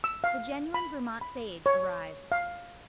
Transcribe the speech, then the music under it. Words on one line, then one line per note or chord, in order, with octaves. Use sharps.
The genuine Vermont Sage arrived.
E6
F5
B5
B5
C#5
F5